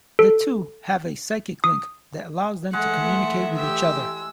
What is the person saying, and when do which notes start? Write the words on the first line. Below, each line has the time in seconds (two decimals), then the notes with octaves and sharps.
The two have a psychic link that allows them to communicate with each other.
0.19 A4
1.64 D#6
2.73 E3 G#3 A3 E5 F#5
3.58 G4 E6